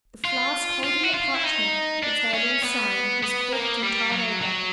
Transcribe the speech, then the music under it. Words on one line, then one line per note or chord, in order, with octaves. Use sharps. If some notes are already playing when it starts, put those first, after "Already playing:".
The flask holding the parchment which they had all signed was corked and tarred over.
F4
F4
F#4
F4
E4
D#4
D4
C#4
B3
B3
A#3
G3
F#3
F#3